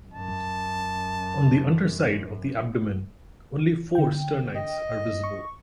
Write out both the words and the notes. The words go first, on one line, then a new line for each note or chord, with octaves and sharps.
On the underside of the abdomen only four sternites are visible.
F#2 A5
D3 G5
D#5
C#6